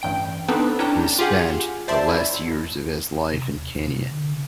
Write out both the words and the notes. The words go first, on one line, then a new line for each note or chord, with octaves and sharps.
He spent the last years of his life in Kenya.
A1 G2 G5 D7
B3 C4 D4 D#4 A4 B4
C#4 D4 E4 G5 A5 A#5
F4 G4 G#4 F#5 G#5
C5 D5 E5 A5 C6
F#2 E4
C3
D#2
D1
C3
D3
C#3